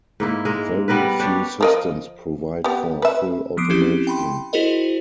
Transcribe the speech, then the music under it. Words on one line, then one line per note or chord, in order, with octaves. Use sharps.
Very few systems provide for full automation.
G#2 A#3 E4
G#3 A#4
G3 B3 A#4 B4
D4 G4 C#5
F3 A#4 D#5
B3 G4
B4 E5
F3 B3 D6 D#6 C7 D7
C4 C#4 E4 G4
G5 B5 C6
E4 F#4 G#4 A#4 C5 D#5